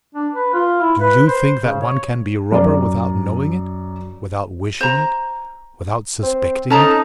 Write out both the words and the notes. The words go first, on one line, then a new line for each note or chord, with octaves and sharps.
Do you think that one can be a robber without knowing it, without wishing it, without suspecting it?
D4
B4
F4
E4
B4
C5
C#3
C#5
F#2 D5
C5 A#5
C4
C#4 D#4 A4 A5 A#5